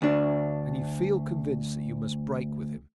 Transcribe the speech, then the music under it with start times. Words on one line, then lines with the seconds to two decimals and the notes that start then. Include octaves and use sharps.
"And you feel convinced that you must break with him?"
0.02 D2 D4